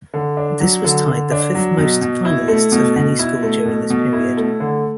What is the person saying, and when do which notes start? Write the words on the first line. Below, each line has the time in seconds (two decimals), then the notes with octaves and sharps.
This was tied the fifth most finalists of any school during this period.
0.14 D3
0.37 D4
0.60 F#3
0.84 D3
1.07 D3
1.31 D4
1.55 F#3
1.78 B2
2.01 B2
2.25 E4
2.48 A3
2.72 B2
2.96 B2
3.19 E4
3.43 A3
3.66 B2
3.90 B2
4.13 E4
4.37 A3
4.60 D3